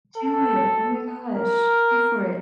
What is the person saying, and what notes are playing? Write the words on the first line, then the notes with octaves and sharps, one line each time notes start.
Do it. Oh my gosh. Go for it.
A4
A#4